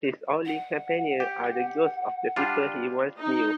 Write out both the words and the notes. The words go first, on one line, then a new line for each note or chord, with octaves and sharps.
His only companions are the ghosts of the people he once knew.
F#5
G4
G3 D4 F4
D#4